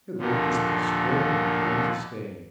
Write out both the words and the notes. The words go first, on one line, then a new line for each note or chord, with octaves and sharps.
It looked as though spring had come to stay.
D#2 A#2 D3 F3